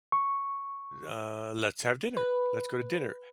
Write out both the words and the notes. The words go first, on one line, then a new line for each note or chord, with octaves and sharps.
"uh, let's have dinner. Let's go to dinner."
C#6
B4